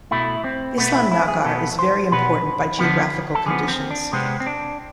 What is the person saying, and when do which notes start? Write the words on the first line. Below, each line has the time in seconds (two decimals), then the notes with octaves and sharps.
Islamnagar is very important by geographical conditions.
0.11 B2 A3 E4
0.44 C4
0.78 B2 A3 B3
0.95 E4
1.11 E4
1.28 G#4
1.45 B2 B3 A4
1.79 C5
2.12 B2 B3 B4
2.79 D3 F3 B3
3.35 A4
3.46 D3 F3 B3 G#4
3.68 C4
3.91 D4
4.13 C3 G#3 B3 C4
4.40 C4
4.46 D4